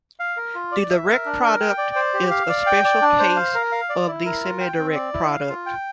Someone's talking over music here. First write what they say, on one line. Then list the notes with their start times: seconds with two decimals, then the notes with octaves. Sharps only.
The direct product is a special case of the semidirect product.
0.20 F5
0.37 A#4
0.55 F4
0.72 D5
0.90 E5
1.08 A#4
1.26 D4
1.43 A#4
1.61 G5
1.78 D5
1.96 C5
2.14 G4
2.31 F5
2.49 D5
2.66 G5
2.85 D5
3.02 D4
3.19 C5
3.36 F5
3.55 A#4
3.72 F5
3.89 D5
4.07 E4
4.26 A#4
4.43 F4
4.60 G5
4.78 C4
4.95 D5
5.14 E4
5.31 F5
5.49 F4
5.66 G5